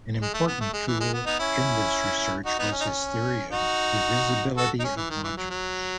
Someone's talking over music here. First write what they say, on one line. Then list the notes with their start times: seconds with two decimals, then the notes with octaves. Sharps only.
An important tool in this research was his theory of divisibility of modules.
0.21 G#3
0.33 A3
0.47 B3
0.60 A3
0.73 G#3
0.87 E3
1.00 G#3
1.13 B3
1.26 B3 D#4
1.40 C#4 E4
2.45 D#4 F#4
2.59 B3 D#4
2.72 C#4
2.81 D#4
2.85 C#4
3.51 D#4 F#4
4.57 F#4 A4
4.80 D#4
4.84 C#4
4.97 E3
5.10 D#3
5.24 E3
5.37 F#3
5.50 F#3